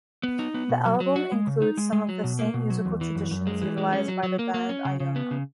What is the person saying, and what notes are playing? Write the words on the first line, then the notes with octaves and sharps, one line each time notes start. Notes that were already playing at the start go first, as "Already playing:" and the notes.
The album includes some of the same musical traditions utilised by the band Iona.
B3
D#4
B3
B2
F#3
F#3
F#4
G#3
C#3
D#4
G#3
G#3
F#3
B2
A#3
B2
F#3
E2
E3
F#2
F#2
G#3
E3
G#3
C#4
F#3
F#3
A#3
A#3
C#4
C#3
C#3
B3
C#3